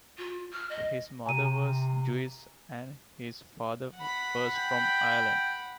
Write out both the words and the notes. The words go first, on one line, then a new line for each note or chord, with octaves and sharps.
His mother was Jewish and his father was from Ireland.
F4
F6
D#5
C3 G#5 A#5 D#7
F#5 B5
G5